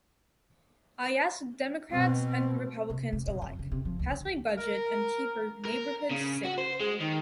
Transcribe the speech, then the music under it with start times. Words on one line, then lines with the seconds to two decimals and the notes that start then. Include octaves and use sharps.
I ask Democrats and Republicans alike: Pass my budget and keep our neighborhoods safe.
1.91 B2 C4
2.90 C3
3.13 C3
3.27 B2
3.42 F2
3.59 C#3
3.72 C3
3.85 F3
3.99 D2
4.11 D3
4.57 A#4
5.65 A#4
6.11 C#3
6.45 F#4
6.58 C5
6.81 G#3
7.01 D#3